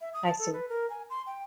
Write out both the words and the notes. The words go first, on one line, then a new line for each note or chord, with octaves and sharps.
I see.
E5
D#6
A5
A4
B4
A#4
G#5
C6
G5